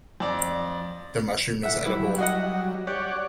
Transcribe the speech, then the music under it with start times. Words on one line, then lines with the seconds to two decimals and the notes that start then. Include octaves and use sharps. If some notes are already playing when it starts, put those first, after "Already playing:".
The mushroom is edible.
0.20 F2 D5
1.63 A2 E5 F#5
1.86 F#3 G3 E4
2.18 F#4 D#5 F#5
2.87 G4 C#5 D5 F#5